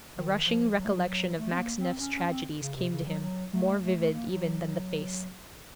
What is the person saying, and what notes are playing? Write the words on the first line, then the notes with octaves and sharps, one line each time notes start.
A rushing recollection of Maxineff's tragedies came to him, more vivid even than the face.
D#3
F3
F#3
A3
F#3
F#3
A3
C4
A#3
C4
C#4
C#4
C4
C#3
C3
C#3
F#3
F#3
A3
A3
A3
A#3
F#3